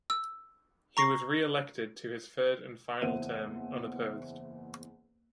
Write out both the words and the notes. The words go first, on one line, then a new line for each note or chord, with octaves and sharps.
He was re-elected to his third and final term unopposed.
E6
A#5 C#6 A#6 C7
F#1 E2 C5 E5 F#5 D#7